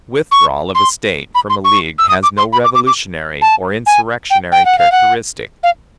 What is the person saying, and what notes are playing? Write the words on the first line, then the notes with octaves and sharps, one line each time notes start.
The withdrawal of a State from a league has no revolutionary or insurrectionary characteristic.
C#6
C6
B5
C6
C#6
E6
D#6
D6
C6
B5
D6
D6
D6
A5
G#5
G5
G5
F#5
F5
F#5
F5